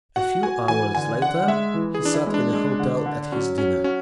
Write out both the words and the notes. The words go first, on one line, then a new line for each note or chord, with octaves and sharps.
A few hours later, he sat in a hotel at his dinner.
F#4 F#5
F#4 G#5
E3 G#5
D3 G#5
D3 F#5
G#3 E5
E3
G#4
E3 D4
E4
G#3
D4
G#3
D3
D3
F#3 C#4
F#3 C#4
C#4 F#4